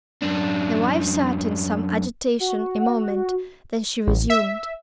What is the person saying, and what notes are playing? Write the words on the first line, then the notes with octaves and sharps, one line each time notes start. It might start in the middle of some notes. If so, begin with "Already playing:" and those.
The wife sat in some agitation a moment, then she resumed.
F#2 D4
F#4
A1
E5